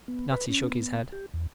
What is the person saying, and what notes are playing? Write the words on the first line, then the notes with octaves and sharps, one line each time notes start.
Natty shook his head.
B3
B4
C#4
B3
G4
E2